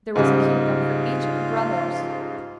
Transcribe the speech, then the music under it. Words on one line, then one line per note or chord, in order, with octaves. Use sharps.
There was a kingdom for each of the brothers.
G#2 C#3 G3 F4